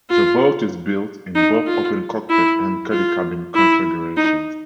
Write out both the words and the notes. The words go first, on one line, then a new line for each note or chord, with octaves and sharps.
The boat is built in both open cockpit and cuddy cabin configurations.
F4
D#4
F4
E4
F4
E4
D#4